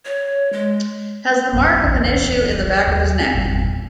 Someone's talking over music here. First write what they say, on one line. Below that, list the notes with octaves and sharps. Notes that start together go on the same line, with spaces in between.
Has the mark of an issue in the back of his neck.
C#5
G#3
A#1 F#2
D1 A#1 E2
D#2
C4
G1 E2 A#2 G3